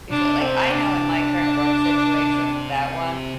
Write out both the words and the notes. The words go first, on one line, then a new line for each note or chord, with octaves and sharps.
use it, like I know in my current work situation, that one
C3 D4
C4
D4